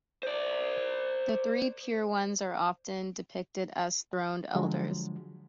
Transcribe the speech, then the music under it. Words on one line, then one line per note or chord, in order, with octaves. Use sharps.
The Three Pure Ones are often depicted as throned elders.
C5 D5
D3 F3 F#3 G#3